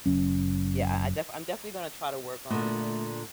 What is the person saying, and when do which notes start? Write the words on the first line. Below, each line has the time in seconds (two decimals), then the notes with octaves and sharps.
yeah, I I defi I'm definitely gonna try to work on, like,
0.06 F#1 F#2 C#4
2.50 A#2 D3 A3